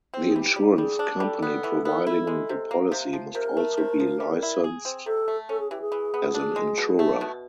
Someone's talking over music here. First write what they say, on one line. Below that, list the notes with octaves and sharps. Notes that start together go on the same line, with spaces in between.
The insurance company providing the policy must also be licensed as an insurer.
C4
G#4
E3 G4
G3
G3 G#4
D4
G3 A4
B3
E3
B3
E4
G#3
C3
A#3
C3
F3
C3 A#4
A3
C3
F3
G3
E4
G#4
C4
C3 A4
A3
C#4 A4
G#4
E3 G4
G#4
E3
B3
D4
G#3
B2
A3
B2